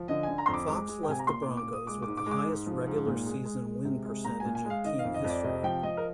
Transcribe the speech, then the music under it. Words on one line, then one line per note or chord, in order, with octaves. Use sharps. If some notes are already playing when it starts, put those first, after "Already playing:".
Fox left the Broncos with the highest regular season win percentage in team history.
Already playing: F3
D3 D#5
D3 G#5
A#5
F2 C6
D6
G#3 D6
G#3
G5
C3 G#5
A#5
A#2 C6
D6
A#2
D6
A#2
D#6
G#3 D6
G#2 D6
D6
G#3
D6
G#2
F3
G#2
A#2
G#3
G#3
G#3
C3
G#3
A#2 A#5
A#2 G#5
G#5
G#3
F5
D#3 D#5
F2 F5
D#5
F2
D5
C3 D#5
F3 G5
F3 D#5
A#4